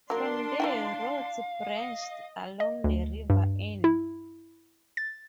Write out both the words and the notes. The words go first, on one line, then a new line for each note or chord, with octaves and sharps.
From there roads branched along the River Inn.
F#3 A#3 D4 A#4 C6
E3 D#4 F5 G5
D#5
D#5
D2
G2
E4
A6